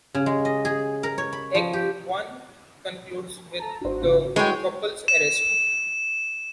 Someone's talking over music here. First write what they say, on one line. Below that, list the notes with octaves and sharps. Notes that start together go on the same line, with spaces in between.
Act One concludes with the couple's arrest.
C#3
G#3
D#5
G#4
A#4
C#5
B5
F3
G4
A4 A5 A#5
G#1 D4 F#4 C5
C#3 F4
F#4
G3 G#3 E4 F#4 C#5 G5 B5
E7